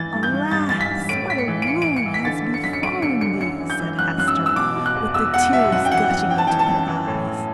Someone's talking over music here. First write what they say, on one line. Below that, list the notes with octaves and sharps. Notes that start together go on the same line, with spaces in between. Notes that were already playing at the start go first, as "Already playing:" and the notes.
"Alas! what a ruin has befallen thee!" said Hester, with the tears gushing into her eyes.
Already playing: E3 A6
G2
G6
G2
G2 A6
E3 A6
B6
G2
A2 D7
A2 B6
C#7
E3
D7
E3 C#7
E3 D7
C#7
E3
B6
D3 A6
D3
C#7
F#2 B6
C#7
F#2 D7
D3 C#7
D3 C#7
F#2 C#7
E3
G6
E3
F#2 F#6
F#2 F#6
E6
E3
E6
B2 D6
B2
F#6
E2
E2 E6
E2 F#5
B2 E5
F#2 F#5
G5
E3 F#5
F#2 F#5
E3 G5
A5
E3 G5
A5
F#2
E3
A2
E3